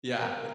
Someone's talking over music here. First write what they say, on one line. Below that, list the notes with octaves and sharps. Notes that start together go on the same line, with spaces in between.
Yeah, it's
A#4